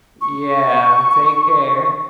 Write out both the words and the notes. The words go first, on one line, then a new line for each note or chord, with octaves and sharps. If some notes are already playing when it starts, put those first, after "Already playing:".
Yeah, take care.
C#6